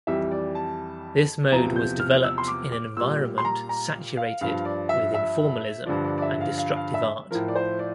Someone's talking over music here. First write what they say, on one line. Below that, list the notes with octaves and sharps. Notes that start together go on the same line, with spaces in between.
This mode was developed in an environment saturated with Informalism and Destructive Art.
F2 E3 G3 E5
D5
A5
E2 C3 F3 A#5
G6
F6
E6
C6
D6
D6
A#2 G3 E6
C6
A#5
A#5
F5
G2 F3 F5
D5
E5
E5
G2 D3 F3 D5
D5
D5
E5
F5
F5
F5
E5
A2 F3 A#4
D5
C5
D5